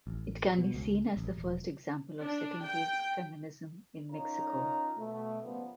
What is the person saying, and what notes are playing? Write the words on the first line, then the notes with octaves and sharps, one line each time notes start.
It can be seen as the first example of second wave feminism in Mexico.
A1
B2
C#2
A1
E1
D4
G5
C#4 D#4 F4 A#4 C#5 A#5
B2 A3
C#3 F3 G3 A#3 B3